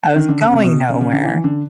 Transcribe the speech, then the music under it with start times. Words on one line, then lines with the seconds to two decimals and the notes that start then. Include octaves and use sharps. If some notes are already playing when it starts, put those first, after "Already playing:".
I was going nowhere,
0.16 D#3
0.29 D3
0.41 C#3
0.53 C3
0.64 B2
0.89 C#3
1.01 C#3
1.12 D3
1.25 E3
1.44 D3